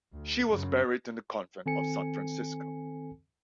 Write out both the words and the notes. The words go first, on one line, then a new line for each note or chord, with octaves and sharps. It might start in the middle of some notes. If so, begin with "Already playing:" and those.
She was buried in the Convent of San Francisco.
D2
F#2 C#3
D#3 C4 A4 G#5 C#7